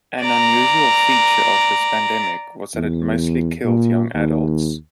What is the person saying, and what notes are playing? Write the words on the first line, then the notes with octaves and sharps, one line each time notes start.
An unusual feature of this pandemic was that it mostly killed young adults.
D5 A#5
E2
A#2
D#2